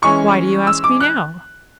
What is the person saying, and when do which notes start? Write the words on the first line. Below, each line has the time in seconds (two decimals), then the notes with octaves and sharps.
"Why do you ask me now?"
0.02 E3 G#3 C#4 C#6
0.67 E6
0.84 D6
1.00 F#6